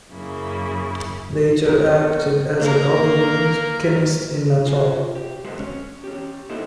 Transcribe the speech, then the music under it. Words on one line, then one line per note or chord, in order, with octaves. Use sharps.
Later acted as a Government Chemist in Natal.
F#2 C#3 A#3 E4
C4 D#4 G4 A#4
B3 A4 A#4 C#5
A#3 A#4
F4 F#4 G#4
G4
G#3 A3 F#4 B4 C5
C#4
C#4 G4
A#3 D#4 E4 G4 A4 C5